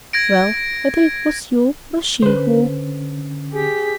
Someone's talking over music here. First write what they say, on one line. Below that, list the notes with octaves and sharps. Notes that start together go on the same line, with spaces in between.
"Well--whether it was you or she who..."
G#6 A#6 D7
D3 C#4 B4 C5
G4 G#4 B6